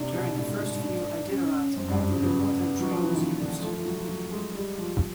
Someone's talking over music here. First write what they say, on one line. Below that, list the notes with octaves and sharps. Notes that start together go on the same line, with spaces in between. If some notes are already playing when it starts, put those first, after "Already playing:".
During the first few Iditarods only the northern trail was used.
Already playing: C3 D4
B2
A2 D4
G#2
A2
G#2
D4
C#4
F#2 C4
G2
G2
C#3
C#3 B3
F#3
F3
E3
D#3 A#3
D3
F3 A3
F3
F#3
F3
F#3
G#3
G3 G#3
F3